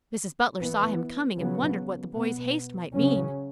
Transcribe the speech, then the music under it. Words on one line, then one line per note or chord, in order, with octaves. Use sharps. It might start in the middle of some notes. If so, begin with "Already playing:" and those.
Mrs. Butler saw him coming and wondered what the boy's haste might mean.
E3 B3
C#3 F#3 B3
B2 B3
C#3 F#3 C#4